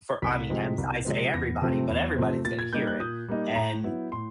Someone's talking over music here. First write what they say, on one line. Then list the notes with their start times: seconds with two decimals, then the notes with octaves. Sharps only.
for, I mean, I'm I say everybody, but everybody's gonna hear it, and
0.22 C2 B6
0.50 C3 F3 G#3 C4
0.78 C2
1.05 C3 F3 G#3 C4
1.33 E2 A#6
1.62 C3 F3 A3 C4
1.89 E2
2.16 C3 F3 A3 C4
2.45 A#2 A6
2.59 G#6
2.73 G3 A#3 D#4 G6
2.87 F#6
3.00 A#2 D#6
3.28 G3 A#3 D#4
3.56 A2 A#5
3.84 F#3 B3 E4
4.12 A2 C6